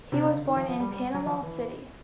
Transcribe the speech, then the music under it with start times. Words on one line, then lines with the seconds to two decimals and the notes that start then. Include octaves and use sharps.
He was born in Panama City.
0.12 C3
0.22 C#3
0.34 D3
0.45 D#3
0.56 F3
0.69 F3
0.80 G3
0.91 G3
1.14 F#3
1.26 F3
1.43 E3